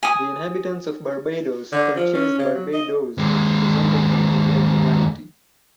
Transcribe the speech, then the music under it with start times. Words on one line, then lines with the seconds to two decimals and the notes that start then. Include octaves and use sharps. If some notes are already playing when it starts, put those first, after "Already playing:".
The inhabitants of Barbados purchased "Barbadoes" and presented her to the Admiralty.
0.03 G#5 D#6
1.72 D3
1.96 F3
2.14 C#4
2.38 C#3
2.54 F#3
2.73 D#5
3.18 D#2 G#3